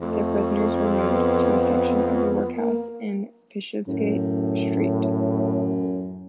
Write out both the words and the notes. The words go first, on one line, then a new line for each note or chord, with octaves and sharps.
The prisoners were moved to a section of the workhouse in Bishopsgate Street.
F2 A3
B3
A#3
F#2 A2